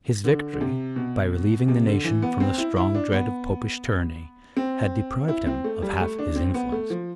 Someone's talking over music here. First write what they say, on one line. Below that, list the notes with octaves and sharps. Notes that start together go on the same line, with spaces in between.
His victory, by relieving the nation from the strong dread of Popish tyranny, had deprived him of half his influence.
D3
D3
C3
B2
C3
D3
E3
B3
C4
E4
E4
D4
B3
C4
E4
C4
A3
G3
A3
D4
C4
B3
A3
F3